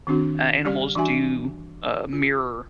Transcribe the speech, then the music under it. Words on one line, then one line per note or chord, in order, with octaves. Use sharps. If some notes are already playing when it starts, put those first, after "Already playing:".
a animals do, uh, mirror,
D#3 C4 D4 F#4
G3 G4 D5
E3 D4 F#4 E5 G#5
F4